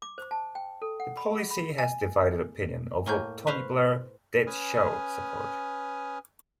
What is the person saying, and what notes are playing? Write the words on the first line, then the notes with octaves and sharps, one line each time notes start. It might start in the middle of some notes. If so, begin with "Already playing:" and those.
The policy has divided opinion, although Tony Blair did show support.
D6
C5
A5
G5
A4
F#5
B5
G#4
B5
G#5
A2 A#3 A#4 G#5 C#6 G6
B4 C5 F5 C#6
C#4 B4 G#5 D#6 F6